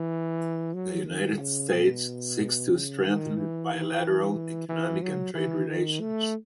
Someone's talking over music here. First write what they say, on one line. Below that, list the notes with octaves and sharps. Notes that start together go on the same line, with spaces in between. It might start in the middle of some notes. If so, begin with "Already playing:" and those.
The United States seeks to strengthen bilateral economic and trade relations.
Already playing: E3
F#3
D#3
C#3
B2
C#3
D#3
E3
E3
F#3
E3
D#3
A3